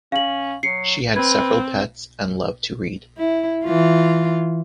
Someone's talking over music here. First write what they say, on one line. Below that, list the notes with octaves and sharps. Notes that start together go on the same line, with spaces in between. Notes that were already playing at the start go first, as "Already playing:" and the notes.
She had several pets and loved to read.
C#4 F5 F#7
F#3 C7 C#7
C4 B4 G#6
E4
E3 F4